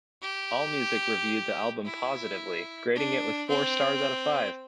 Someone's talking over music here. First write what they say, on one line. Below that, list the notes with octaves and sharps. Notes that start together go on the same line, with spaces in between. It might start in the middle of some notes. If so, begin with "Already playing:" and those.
Allmusic reviewed the album positively, grading it with four stars out of five.
G4
E4
D4
C4